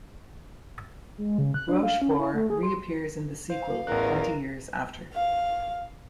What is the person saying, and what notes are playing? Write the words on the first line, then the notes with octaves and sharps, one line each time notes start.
Rochefort reappears in the sequel, "Twenty Years After".
G#3
C#3
F#6
D4
F5
C#4
E4
A3
G#4
C6
C5 F5
A1 E2 A#4 F#6
F5